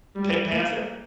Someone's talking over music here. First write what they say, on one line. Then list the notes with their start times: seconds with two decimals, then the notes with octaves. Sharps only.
The Pink Panther?
0.16 G3
0.51 A#3